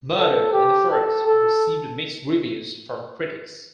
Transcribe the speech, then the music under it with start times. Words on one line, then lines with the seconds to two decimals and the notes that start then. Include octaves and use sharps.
"Murder in the First" received mixed reviews from critics.
0.15 A4
0.53 G4
0.91 A4
1.26 A4